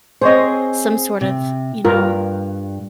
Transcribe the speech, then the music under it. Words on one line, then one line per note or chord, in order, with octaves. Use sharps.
some sort of, you know
C4 G#4 C5 C#5 D#5
C3
G2 F4 A#4